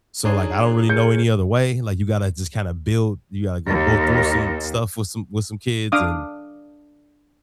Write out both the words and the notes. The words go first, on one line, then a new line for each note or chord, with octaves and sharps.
so like, I don't really know any other way, like you gotta, just kind of build you gotta go go through some stuff, with some with some kids and
D4 D#4 G#4 C#5
G#4 A#4 C#5 G6 C#7
D#2
D4 F5 D6 D#6